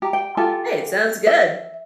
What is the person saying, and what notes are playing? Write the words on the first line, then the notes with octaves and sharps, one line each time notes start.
Hey, it sounds good.
G4 A#5
G5
F4 G4 A4 G#5
E5